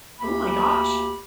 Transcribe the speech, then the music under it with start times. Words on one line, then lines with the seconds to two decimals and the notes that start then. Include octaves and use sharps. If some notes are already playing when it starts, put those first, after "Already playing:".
Oh my gosh.
0.19 D2 A#3 G4 B5